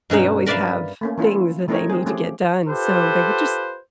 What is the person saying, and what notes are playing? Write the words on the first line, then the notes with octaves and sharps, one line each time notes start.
they always have things that they need to get done- so they would just
G2 B2 C#4 D#4
A#4 B4 D5 E5 F5
A3 A#3 C#4
E3 C#4 E4 F4
E3 A3 C4 D#4 A#4 C#5
C4 G#4
F3 A3 C#4 G4 G#4
F4 G4 A4 B4 C5